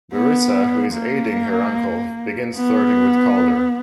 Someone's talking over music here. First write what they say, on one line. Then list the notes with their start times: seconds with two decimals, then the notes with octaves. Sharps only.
Marisa, who is aiding her uncle, begins flirting with Calder.
0.13 B3
0.94 A#3
2.55 B3